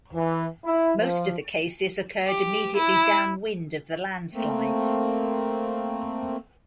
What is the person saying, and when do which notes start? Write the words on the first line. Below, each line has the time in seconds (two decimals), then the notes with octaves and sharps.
Most of the cases occurred immediately downwind of the landslides.
0.14 E3
0.64 E4
0.99 F3
2.26 G4
2.76 E4
4.34 A3 A#3 C4